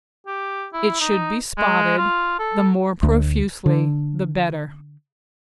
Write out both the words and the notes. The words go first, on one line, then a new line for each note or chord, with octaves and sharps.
It should be spotted, the more profusely the better.
G4
E4
D#4
G#3
F4
A4
D2
D3